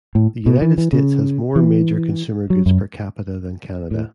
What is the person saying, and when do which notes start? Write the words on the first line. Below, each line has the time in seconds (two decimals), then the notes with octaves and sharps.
The United States has more major consumer goods per capita than Canada.
0.15 A2
0.46 B2
0.62 E3
0.78 E3
0.93 C#3
1.56 E3
2.50 F#3
2.66 F#2
3.91 A2